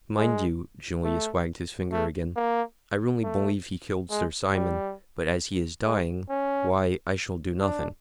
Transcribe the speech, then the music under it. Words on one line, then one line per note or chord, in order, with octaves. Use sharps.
Mind you"--Julius wagged his finger again--"I really believe he killed Sir Simon, but as he is dying, why, I shall do nothing.
G#3
A3
A3
A#3
A3
G#3
G3
G#3
C#4
D4